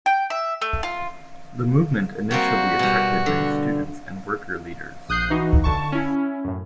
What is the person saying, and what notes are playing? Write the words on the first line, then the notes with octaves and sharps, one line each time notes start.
The movement initially attracted many students and worker leaders.
G5
E5
A3
F4
G3 A#3 C4 F#4
B2 G3
D3
A#1 D#6 F#6 G6 C7
E3 D#4 F#4
D3 A5 C#6
C#4 E4
F#2 A2